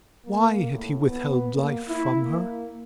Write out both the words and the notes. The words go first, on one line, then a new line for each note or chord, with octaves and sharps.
Why had he withheld life from her?
A#3
A2
B3
A#3
E4
A#3